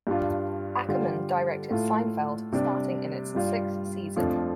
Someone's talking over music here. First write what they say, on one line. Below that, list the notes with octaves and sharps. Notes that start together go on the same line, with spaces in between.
Ackerman directed "Seinfeld" starting in its sixth season.
G2 G3 D4 F4
D3 G3 F4
A2 A3 F4
C3 G3 D4
G2 G3 F4
F2 F3 A3 D4 F4